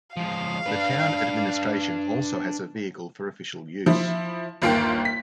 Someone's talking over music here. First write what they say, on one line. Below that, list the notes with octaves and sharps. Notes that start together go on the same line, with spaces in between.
The town administration also has a vehicle for official use.
F3 G#3 F5
D4 B4
F3 E4
G1 D#2 A#3 F4 F5 G5
B6